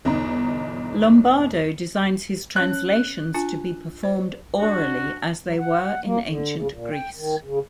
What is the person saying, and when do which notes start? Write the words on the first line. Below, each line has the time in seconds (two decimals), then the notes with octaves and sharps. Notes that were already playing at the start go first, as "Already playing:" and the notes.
Lombardo designs his translations to be performed orally, as they were in ancient Greece.
0.05 G1 E2 B2 D#4 A#5
2.56 C#4 C#5 F#6
3.34 D4 F4 G#5
4.03 C5 D5
4.60 D4 F#4
5.44 F#3
5.59 F#5
6.04 A#3
6.27 D3
6.55 C#3
6.72 A#2
6.92 G5
7.16 D#3
7.44 C#3